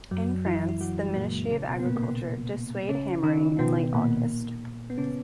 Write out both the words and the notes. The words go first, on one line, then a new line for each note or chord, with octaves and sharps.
In France, the ministry of agriculture dissuade hammering in late august.
F#2 F#3
E3 E4
E4
F#3 F#4
G#3
A#2 A#3
C#3 C#4
B2 B3
B3
A#2 A#3
A#3
B2 B3
C#3 C#4
D#3 D#4
B2 B3
A#2 A#3
B3
C#3 C#4